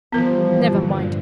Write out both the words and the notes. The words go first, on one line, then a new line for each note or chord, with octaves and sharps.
Never mind.
E3 F3 G3 B3 A#4
G2 A#2 D3